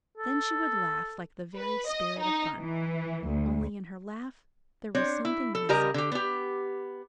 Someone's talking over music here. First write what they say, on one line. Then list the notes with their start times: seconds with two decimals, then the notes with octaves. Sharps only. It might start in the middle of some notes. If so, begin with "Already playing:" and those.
Then she would laugh like the very spirit of fun; only in her laugh there was something missing.
0.17 A4
1.56 B4
1.87 D#5
2.19 D#4
2.57 E3
3.26 D2
4.95 C4 D4 C#5
5.25 E4
5.55 A4
5.69 C#3 G3 G4 A#4 D#5 A#5
5.94 D3 G4
6.12 B3 G4